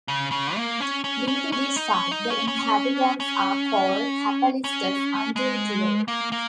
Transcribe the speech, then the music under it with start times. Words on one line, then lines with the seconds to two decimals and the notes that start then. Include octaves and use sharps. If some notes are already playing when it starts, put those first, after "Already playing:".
Due to this fact the inhabitants are called "capelistas" until today.
0.08 C#3
0.32 C#3
0.56 A#3
0.80 C#4
1.04 C#4
1.28 C#4
1.52 C#4
1.76 D#4
1.94 C#4
2.11 D#4
2.30 C#4
2.48 C#4
3.20 C#4
4.64 C#4
5.36 G#3
6.08 A#3
6.32 A#3